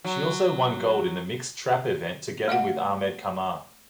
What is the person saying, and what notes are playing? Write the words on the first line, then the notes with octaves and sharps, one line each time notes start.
She also won gold in the mixed trap event together with Ahmed Kamar.
F#3
A3 D#5 F5 F#5